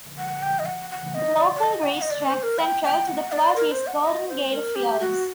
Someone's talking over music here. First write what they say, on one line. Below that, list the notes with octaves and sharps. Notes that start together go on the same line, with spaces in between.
The local racetrack central to the plot is Golden Gate Fields.
F#5
G5
D#5
F#5
F#5
D#5
D5
D5
D#5
G5
F#5
D#5
D5
C5
A#4
G5
G5
F#5
D5
A#4
C5
F#5
D#5
C5
A#4
G4
F#4